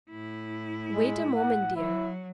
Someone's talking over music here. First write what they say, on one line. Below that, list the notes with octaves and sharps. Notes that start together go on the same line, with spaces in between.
Wait a moment, dear.
A2 E4
G#3
F#5
F#3 E4